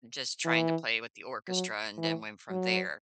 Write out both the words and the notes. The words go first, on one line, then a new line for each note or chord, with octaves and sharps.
Just trying to play with the orchestra and then went from there,
E3
F#3
E3
F#3